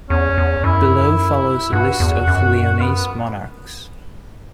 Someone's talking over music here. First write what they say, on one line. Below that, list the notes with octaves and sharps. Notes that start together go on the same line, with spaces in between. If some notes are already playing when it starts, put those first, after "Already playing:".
Below follows a list of Leonese monarchs.
E2 C#4
E2
F#2 E4
G2 F#4
E2
F#2
B3